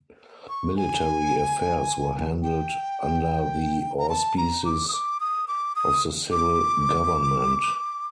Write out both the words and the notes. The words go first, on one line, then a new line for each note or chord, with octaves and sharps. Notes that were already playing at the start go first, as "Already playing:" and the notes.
Military affairs were handled under the auspices of the civil government.
C#6
G#5
G5
A#5
A5
A#5
D6
D#6
D6
D#6
D6
D#6
D6